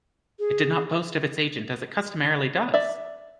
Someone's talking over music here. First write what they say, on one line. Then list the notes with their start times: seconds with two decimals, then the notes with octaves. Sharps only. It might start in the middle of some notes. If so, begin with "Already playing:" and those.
It did not boast of its agent as it customarily does.
0.39 G#4
2.74 D5 E5